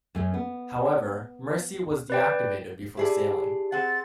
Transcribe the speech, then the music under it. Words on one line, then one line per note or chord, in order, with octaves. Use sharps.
However, "Mercy" was deactivated before sailing.
F#2 A3 C#4
B3
B4 D5 G5
E4 G4 G#4 D5 A5
C4 G#4 F#5 A6